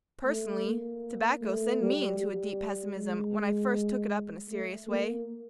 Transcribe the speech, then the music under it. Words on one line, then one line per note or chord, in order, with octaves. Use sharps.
Personally tobacco sent me into a deep pessimism when I first took it up in a serious way.
A3
A#3
A3
G3
G3
G#3
A3
A#3